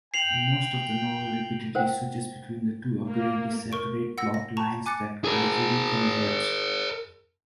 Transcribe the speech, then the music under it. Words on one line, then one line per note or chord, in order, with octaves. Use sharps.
Most of the novel repeatedly switches between two apparently separate plotlines that gradually converge.
G5 C7 F7 F#7
A#4 C5 F#5 G5
A#3
A#4 C#6 D7
F#5 E6 A#6
A#6
A5 A#5 C#6
G#5 D6 F#6 A6 C#7
G#4 A#4